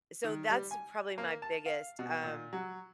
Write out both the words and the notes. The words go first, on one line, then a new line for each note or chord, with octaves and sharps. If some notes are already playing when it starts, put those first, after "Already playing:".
so, that's probably my biggest, um
D#3
G3
G#5
A#3
A5
F5
B2
A#2
F#3